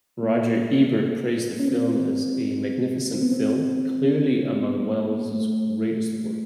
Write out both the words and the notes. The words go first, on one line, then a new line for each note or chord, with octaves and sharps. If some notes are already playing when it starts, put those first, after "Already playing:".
Roger Ebert praised the film as a magnificent film, clearly among Welles' greatest work.
A#3
C#4
C4
C4
B3
C4
B3
A#3
A#3
A3